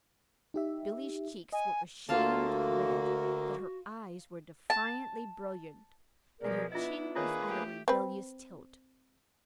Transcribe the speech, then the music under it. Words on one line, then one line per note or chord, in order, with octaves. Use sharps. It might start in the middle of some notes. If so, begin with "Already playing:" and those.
Billy's cheeks were a shamed red, but her eyes were defiantly brilliant, and her chin was at a rebellious tilt.
D#4 G4 E5
D#5 G#5
D2 D3 A#3 F4 F#4 F5 A5
A5
B2 F3 G#4 A#4 D5
B3 D4 E4 F4 D#5
D#3 A#3 F4 G#4 B4 C#5
A3 G4
C4 B4